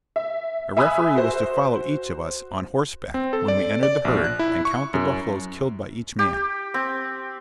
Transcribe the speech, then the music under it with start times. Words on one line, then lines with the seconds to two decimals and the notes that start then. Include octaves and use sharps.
A referee was to follow each of us on horseback when we entered the herd, and count the buffaloes killed by each man.
0.16 E5
0.77 E5 G#5 B5 D#6 E6 F#6
1.15 F#4 C5
3.14 C4
3.33 A4
3.48 D5
3.83 D5
4.05 A#1
4.24 F#6
4.39 E4
4.65 C#6
4.94 F#2
6.19 G4
6.74 C4